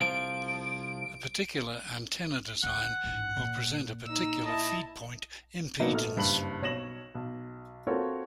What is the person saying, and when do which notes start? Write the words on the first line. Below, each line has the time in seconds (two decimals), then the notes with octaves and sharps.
A particular antenna design will present a particular feedpoint impedance.
0.01 C2 F3 D7
2.63 D2 F#5
3.04 A1 G#2
3.37 A#2
4.07 D#4 E6
4.46 E4 D#5 A5
5.80 F#3 A#3 B3 D4 D#4
5.92 A#1 A3 F6
6.16 F#1 G2 B5 F#7
6.62 B1 C#5 A#6 E7 F#7
7.15 B1
7.87 C4 F4 F#4 A4 A#4 C#5